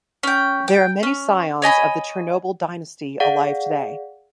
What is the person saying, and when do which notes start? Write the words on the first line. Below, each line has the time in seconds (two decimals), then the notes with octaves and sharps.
There are many scions of the Chernobyl dynasty alive today.
0.23 C#4 G5
0.68 G5
1.03 C#4
1.62 C#5 D#5 G#5 B5
3.20 G#4 D5 F5 F#5